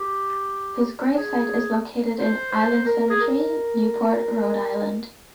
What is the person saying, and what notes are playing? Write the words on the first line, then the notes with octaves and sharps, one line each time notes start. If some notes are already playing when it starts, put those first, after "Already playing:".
His grave site is located in Island Cemetery, Newport, Rhode Island.
Already playing: G4
G#4
C5
C5
A#4
G#4
A#4